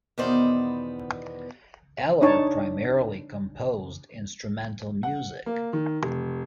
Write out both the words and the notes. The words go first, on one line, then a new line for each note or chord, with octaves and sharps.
Eller primarily composed instrumental music.
E2 B2 D#3 B3 C5 D5
D4 D#4 C#5 A5
F#5
A#3
D#3
F1